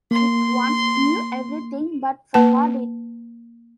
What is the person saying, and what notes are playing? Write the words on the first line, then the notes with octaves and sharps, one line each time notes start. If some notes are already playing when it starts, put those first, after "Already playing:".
It once knew everything, but forgot it.
A#3 C6
A#3 B4 A5